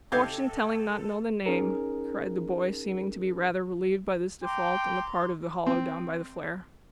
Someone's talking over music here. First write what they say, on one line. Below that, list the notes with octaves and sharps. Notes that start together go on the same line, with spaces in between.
Fortune-telling not know the name!' cried the boy, seeming to be rather relieved by this default on the part of the hollow down by the flare.
C3 D#4 G4 A4 F5 D6 G6 G#6
C#4 D#4 G#4 A#4
G5 A#5 C6 D6
C4